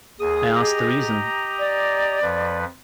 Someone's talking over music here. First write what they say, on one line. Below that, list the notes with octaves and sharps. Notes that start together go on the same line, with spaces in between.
I asked the reason.
D#2 G#4 D#6
G4 D#5 A#5
D5
F2 F3 B4